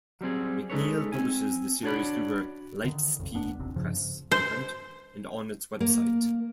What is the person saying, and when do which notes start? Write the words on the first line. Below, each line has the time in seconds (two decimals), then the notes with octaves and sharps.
McNeil publishes the series through her "Lightspeed Press" imprint and on its website.
0.21 F#3 G3 C4 G#4
0.70 G#3 D#4 A4 B4 C#5
1.12 C4 G#5
1.83 D4 F#4 C#5 D5 B5
2.84 D3 D#3
3.19 B1 F2 C#3
3.34 E1 B3 C#4 D4
3.59 D#1 G#1 C3 C4
3.76 G2 C#3 F3
4.31 C5
5.80 A#3